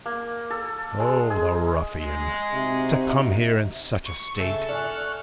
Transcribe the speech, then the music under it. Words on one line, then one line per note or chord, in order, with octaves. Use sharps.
O the ruffian! to come here in such a state!
A#3
A4
G#3
G#4
G#3
C3 D#4 F#4 E5
C#6
C#3 A4 E5
D5 F#5 G#5 C#6 F6 F#6